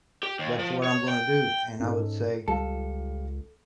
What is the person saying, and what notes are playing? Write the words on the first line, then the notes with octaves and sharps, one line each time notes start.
that's what I'm gonna do," and I would say,
G4
D#2
F3
C#5
G5
G#2 C#4 D#4 A4
C#2 G3 F4 A4 F5